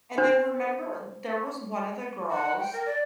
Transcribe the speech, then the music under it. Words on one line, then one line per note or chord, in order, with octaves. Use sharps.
And then remember, there was one of the girls
D4 C5
F#5
G5
A#4
D5